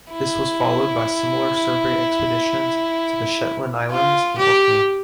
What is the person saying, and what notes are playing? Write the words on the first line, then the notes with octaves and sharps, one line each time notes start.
This was followed by similar survey expeditions to the Shetland Islands and Orkney.
E4
F4
G4